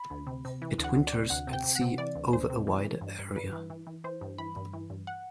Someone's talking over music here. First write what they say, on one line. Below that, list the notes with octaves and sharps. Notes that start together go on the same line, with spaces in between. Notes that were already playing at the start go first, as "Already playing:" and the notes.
It winters at sea over a wider area.
Already playing: B5
D2
C3
C3
E3
D2
F#5
D2
D5
C3
D2 F#5
C3
G5
C3
F#5
C3
E3 D5
D2
D2 C5
C3
E3
E3
G2
G2
G2 B4
E3
E3
E3
E3 C5
G2
E3 B5
G2
E3
G2
F#5